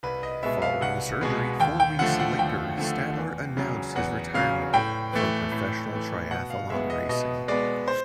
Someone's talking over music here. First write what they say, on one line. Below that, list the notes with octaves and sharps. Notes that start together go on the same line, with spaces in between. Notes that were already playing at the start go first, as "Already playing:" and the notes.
Following the surgery, four weeks later, Stadler announced his retirement from professional triathlon racing.
C2 B4
D#5
B2 G#3 B3 E5
F5
C2 F#5
B2 G#3 B3
D#2 G5
G5
D3 F3 A3 F#5
F#5
D#2 G5
D3 F3 A3
E2
C#3 F#3
E2 F#5
C#3 F#3 F5
A2 G5
E3 A3
A2
E3 A3
B2 F#5
F5
G#3 B3 E5
D#5
B2 D#5
G#3 B3 D5
C5